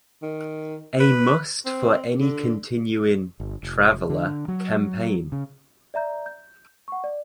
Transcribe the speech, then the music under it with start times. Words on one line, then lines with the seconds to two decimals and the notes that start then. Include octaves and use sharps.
A must for any continuing "Traveller" campaign.
0.23 D#3
1.00 B4
1.66 C4
2.20 D3
3.40 G1
3.63 F1
4.10 D3
4.48 F#3
5.32 C#3
5.94 D5 E5 A#5 G6
6.26 G6
6.88 F#5 C#6
7.04 D5